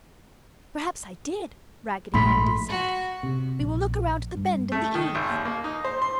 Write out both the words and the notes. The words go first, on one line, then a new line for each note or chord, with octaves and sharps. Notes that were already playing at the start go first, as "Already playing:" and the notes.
"Perhaps I did!" Raggedy Andy said, "We will look around the bend in the eave!"
A#1 G#2 A3 B5 C6 B6
F#4
C3
A#1
G2
A3
D#3
G#1
D#2
A#3
D#4
C5
C6